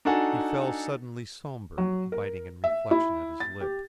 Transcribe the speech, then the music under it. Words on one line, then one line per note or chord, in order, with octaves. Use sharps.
He fell suddenly sombre, biting in reflection at his lip.
D4 D#4 F#4 A4 F#5 G#5
F#3
A#4
E5
E4
A6
G4